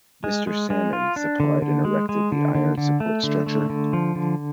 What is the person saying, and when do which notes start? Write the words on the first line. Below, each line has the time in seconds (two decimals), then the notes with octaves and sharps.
Mr Salmon, supplied and erected the iron support structure.
0.24 G#3
0.47 G#3
0.70 G#3
0.93 F4
1.16 D4
1.40 D3
1.62 D3
1.85 G#3
2.09 G#3
2.32 D3
2.55 D3
2.78 D3
3.00 A3
3.23 D3
3.46 A3
3.70 D3
3.93 F3
4.15 D3